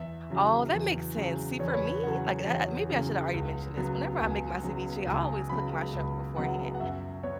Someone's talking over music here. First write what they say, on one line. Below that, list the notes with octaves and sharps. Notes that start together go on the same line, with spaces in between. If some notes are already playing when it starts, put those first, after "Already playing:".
Oh, that makes sense. See, for me, like, that maybe I should've already mentioned this. Whenever I make my ceviche, I always cook my shrimp beforehand
Already playing: E2 E5
C#3 F#3
E2
C#3 F#3
E2 C#5
B4
C#5
C#3 F#3 F#5
E2
C#3 F#3
C#2
C#3 F#3 B3
C#2 G#5
C#3 F#3 B3
C#2 G#5
C#3 F#3 B3 B5
C#2
C#3 F#3 B3 F#5
F#5
F#2 E5
B3 C#5